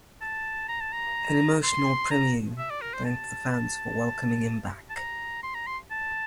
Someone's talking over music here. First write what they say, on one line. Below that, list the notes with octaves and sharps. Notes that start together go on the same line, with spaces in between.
An emotional Primeau thanked the fans for welcoming him back.
A5
A#5
A5
A#5
C6
A#5
E5
D5
A#4
C5
A5
A5
A#5
C6
A#5
C6
A5